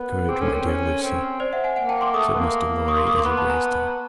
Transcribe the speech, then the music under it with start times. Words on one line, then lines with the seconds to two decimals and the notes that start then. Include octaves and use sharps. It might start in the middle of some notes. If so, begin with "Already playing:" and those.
"Courage, my dear Lucie," said Mr. Lorry, as he raised her.
Already playing: B3 A#4
0.29 C4 G#4
0.41 C#4 A4
0.53 C4 A#4
0.66 C#4
1.03 C4
1.40 C5 D5
1.53 E5 F#5
1.64 F#5 G#5
1.76 A#3 F#5 G#5
1.89 G5 A5
2.01 C6 D6
2.14 A3 C#6 D#6
2.27 A3
2.34 B3
2.38 A#3
2.88 C#6 D#6
2.97 C6 D6
3.07 C#6 D#6
3.16 C6 D6
3.25 B3 B5 C#6
3.37 A5 B5
3.50 G#5 A#5